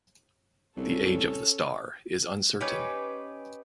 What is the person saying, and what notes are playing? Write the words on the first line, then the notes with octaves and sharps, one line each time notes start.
The age of the star is uncertain.
C2 C#4 A4
C#4 D#4 G4 B4